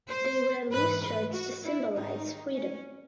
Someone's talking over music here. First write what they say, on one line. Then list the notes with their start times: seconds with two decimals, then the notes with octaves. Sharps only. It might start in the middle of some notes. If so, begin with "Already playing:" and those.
They wear loose shirts to symbolize freedom.
0.10 C5
0.70 G#2 E3 B4
1.02 B4
1.32 F#4
1.63 E4
1.94 G#2 D#3 D#4
2.55 C#4